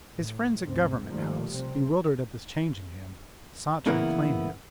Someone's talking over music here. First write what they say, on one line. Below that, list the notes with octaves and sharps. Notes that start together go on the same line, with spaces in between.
His friends at Government House, bewildered at this change in him, sought to reclaim him.
A2
D2 G#2 C4
D#3 F3 G3 A3 A#3
C3 C4
A#2 C#3 E3 A#3 B3 E4